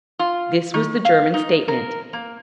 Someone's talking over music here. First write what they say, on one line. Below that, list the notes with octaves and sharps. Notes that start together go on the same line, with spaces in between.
This was the German statement.
F4
D#3
F5
D#4
A#4
A#3